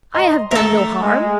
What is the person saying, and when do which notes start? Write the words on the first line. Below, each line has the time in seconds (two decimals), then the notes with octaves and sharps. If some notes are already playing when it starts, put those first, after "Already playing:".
"I have done no harm."
0.14 D#5 A#5 C6
0.51 A3 A4 A#4 E5
1.00 G#3